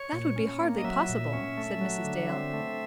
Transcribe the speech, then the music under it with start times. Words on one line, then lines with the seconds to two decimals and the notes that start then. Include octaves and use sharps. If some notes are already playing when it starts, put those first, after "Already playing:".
"That would be hardly possible," said Mrs. Dale.
Already playing: C#5
0.13 A#2
0.36 C#4
0.60 A#3
0.78 D#5
0.84 F#3 E5
1.09 A#2
1.33 C#4
1.57 A3
1.81 F#3
2.05 D3
2.29 C4
2.53 A3